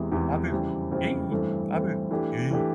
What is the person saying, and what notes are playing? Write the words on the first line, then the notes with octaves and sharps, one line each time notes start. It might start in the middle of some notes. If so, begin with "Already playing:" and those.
Abu Ye Abu ye!
Already playing: E2 C3 E3 G#3
E2 C3 E3 G#3
F2 C#3 E3 G3 C4
F2 C#3 E3 G3 C4
G2 E3 A3 C4
G2 E3 A3 C4
E3 A3 D4 G4
E3 A3 D4 G4